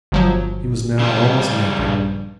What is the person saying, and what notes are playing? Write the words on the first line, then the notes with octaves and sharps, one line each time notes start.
He was now almost naked.
G1 F3 F#3
C#3 G3
A#1 G2